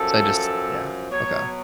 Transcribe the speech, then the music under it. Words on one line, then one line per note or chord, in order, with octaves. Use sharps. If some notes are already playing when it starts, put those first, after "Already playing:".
So I just Yeah, okay. I
Already playing: F#2 F3 A4
B2 F#3 C#5